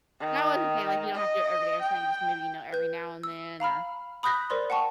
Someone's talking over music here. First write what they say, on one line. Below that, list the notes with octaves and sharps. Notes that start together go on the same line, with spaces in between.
No, I wasn't saying, like you don't have to do it every day or something, just maybe, you know, every now and then, or
D#3
D#5
G5
B4 G6
E6
F5 A#5 B5 F6
B5 D#6 F#6 G6 A#6 B6
A#4 C5 D5 C6
F#5 G5 A5 C#6